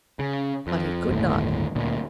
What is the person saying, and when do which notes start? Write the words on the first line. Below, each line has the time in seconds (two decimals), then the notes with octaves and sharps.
But he could not.
0.19 C#3
0.67 F2
1.09 G1 D#2 A2 A3
1.75 D2 A#2